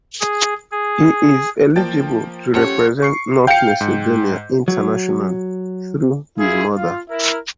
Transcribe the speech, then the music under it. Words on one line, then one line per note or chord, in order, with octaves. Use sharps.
He is eligible to represent North Macedonia internationally through his mother.
G#4
G#4
F3 A#3 G5 A5 A6
C#4 G4 A4 C5 C#5 F#5
C#6 C7 C#7
F5 G5 G6 C#7
G#2
F#3
E4 F4 G#4
F4
E4 A#4